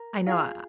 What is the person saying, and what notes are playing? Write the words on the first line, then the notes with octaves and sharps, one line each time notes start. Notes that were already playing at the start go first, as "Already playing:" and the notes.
I know I
Already playing: A#4
F4 G#4 G5